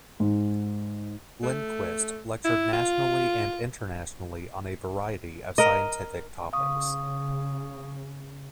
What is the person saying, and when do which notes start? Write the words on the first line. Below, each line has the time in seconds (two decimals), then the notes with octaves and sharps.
Lindquist lectured nationally and internationally on a variety of scientific topics.
0.20 G#2
1.43 A3
2.44 E4
2.73 F4
5.58 A#4 D#5
6.53 C#3 F5 C#6 D#6